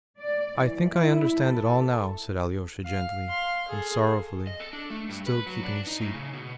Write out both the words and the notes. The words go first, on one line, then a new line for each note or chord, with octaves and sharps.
"I think I understand it all now," said Alyosha gently and sorrowfully, still keeping his seat.
D5
E3
E4
A4
F5
F5 C6
G#4 A4
D#5
A4
D4
A3
G2
B4
F#3
D4
D#4
A2
C#3
B2